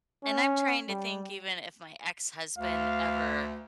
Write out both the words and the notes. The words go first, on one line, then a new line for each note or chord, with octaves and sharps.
And I'm trying to think even if my ex-husband ever
C#4
G3
D2 F5